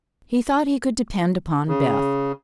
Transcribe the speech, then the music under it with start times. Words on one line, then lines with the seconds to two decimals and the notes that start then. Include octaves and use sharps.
He thought he could depend upon Beth.
1.68 C#3